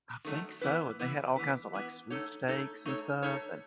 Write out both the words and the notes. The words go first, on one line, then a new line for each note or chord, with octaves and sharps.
I think so, and they had all kinds of, like, sweepstakes and stuff and,
D#3 F#3 A3 D#4
E3 B3 E4 B4
E3 B3 E4 B4
E3 B3 E4 B4
E3 B3 E4 B4
A3 D#4 A4 C#5
A3 D#4 A4 C#5
A3 D#4 A4 C#5
A3 D#4 A4 C#5